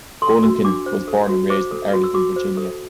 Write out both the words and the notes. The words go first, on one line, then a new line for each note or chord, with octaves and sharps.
Golinkin was born and raised in Arlington, Virginia.
A4 C6
F#4 E6
D4 D6
C5
A4
F#4
C5 D6
A4
F#4
E6
F#4 D6
C5
A4